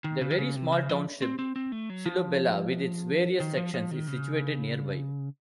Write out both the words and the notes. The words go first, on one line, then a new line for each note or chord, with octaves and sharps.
The very small township Silobela, with its various sections, is situated nearby.
D#3
C#3
D#3
C#3
C3
C#3
F3
C4
C4
C4
A3
F#3
F3
D#3
F3
F3
D#3
C#3